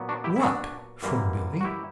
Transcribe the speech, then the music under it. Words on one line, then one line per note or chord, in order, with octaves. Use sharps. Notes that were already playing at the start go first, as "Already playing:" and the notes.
"What?" from Billie.
Already playing: A#2 F#3 B3
D4 F#4
E4 G4
E4
D4 F#4
F#2 E3 G3 A#3
F#4
E4 G4